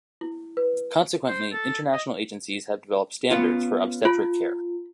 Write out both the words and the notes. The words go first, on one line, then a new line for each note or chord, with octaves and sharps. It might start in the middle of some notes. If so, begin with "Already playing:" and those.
Consequently, international agencies have developed standards for obstetric care.
E4
B4
C5
A4
D#5
B3 C#4 F4
F4 B5